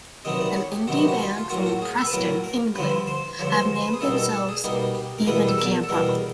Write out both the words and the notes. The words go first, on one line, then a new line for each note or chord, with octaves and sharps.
An Indie band from Preston, England have named themselves "Ivan Campo".
C3 D#3 F#3 B3 D#4 D#5
D5
C#5
G4
C3 D#3 F#3 B3 D#4 F#4
G4
F#4
F4
F4
A2 F#3 A#3 F#4
F#4
G#4
A4
B4
A2 F#3 A#3 A#4
A#4
G2 D3 F3 B4
C5
G2 D3 F3 C#5
C5
C5
B4
G#4
B2 G3 A#3 D#4 A4
A4
A4
G#4
B2 G3 A#3 D#4 G4
G4
A#4
E2 B2 G3 A#3 B4
A4
A#4
A4
E2 B2 G3 A#3 A#4